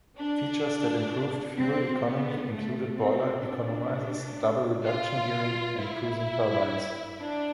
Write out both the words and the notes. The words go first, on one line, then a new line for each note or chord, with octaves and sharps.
Features that improved fuel economy included boiler economizers, double reduction gearing, and cruising turbines.
D4
C4
B3
A3
C4
D4
F4
E4
D4